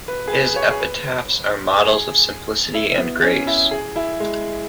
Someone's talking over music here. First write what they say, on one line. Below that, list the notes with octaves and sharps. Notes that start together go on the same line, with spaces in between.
His epitaphs are models of simplicity and grace.
B4
G#4
B4
C#5
G#4
B4
G#4
E4
B3
C#4
E4
G#4
E4
G#3